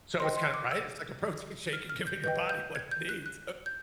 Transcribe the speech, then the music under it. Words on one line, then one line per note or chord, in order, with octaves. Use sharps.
So it's kinda, right, it's, like, a protein shake, you're giving your body what it needs
C5 D#5 G5 C6
C6
D6
E6
F6
F6
G6
B4 D#5 G5 G6
G6
G#6
G6
F#6
F#6
G6